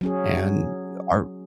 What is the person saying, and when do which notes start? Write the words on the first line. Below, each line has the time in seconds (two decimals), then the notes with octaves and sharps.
and our
0.01 F#3 C#4 G#4